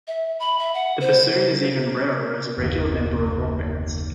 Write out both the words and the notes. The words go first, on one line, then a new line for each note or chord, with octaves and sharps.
The bassoon is even rarer as a regular member of rock bands.
E5
B5
E5
F#5
C5
F#1 D#2